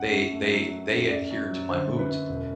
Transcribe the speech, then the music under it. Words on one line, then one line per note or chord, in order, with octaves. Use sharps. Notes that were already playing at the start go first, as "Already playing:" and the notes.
they they they adhere to my moods,
Already playing: F#2 F#5
F#2
A3
F#3
F#2
F#2
F#2 D5
F#2
F#3
D3 C5
F#2
B4
F#2
E1